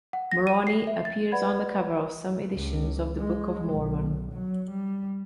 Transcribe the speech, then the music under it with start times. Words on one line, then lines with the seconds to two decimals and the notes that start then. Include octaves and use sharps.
Moroni appears on the cover of some editions of the Book of Mormon.
0.13 F#5
0.32 A#6
0.47 D#7
0.67 C7
0.87 E5
1.05 A6
1.32 B4 D5 F#5 B5 G#6
2.53 C#2
3.18 G#3
3.74 B1
4.32 F#3
4.71 G3